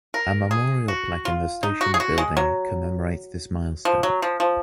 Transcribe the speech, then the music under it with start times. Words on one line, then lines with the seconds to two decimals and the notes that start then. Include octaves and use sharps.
A memorial plaque in the station building commemorates this milestone.
0.14 A#4
0.51 G#4
0.88 F#4
1.25 F4
1.63 D#4
1.81 F#4
1.94 G#4
2.00 F#4
2.18 G#3
2.37 F#3
3.85 F3
4.03 F#3
4.22 F3
4.40 F3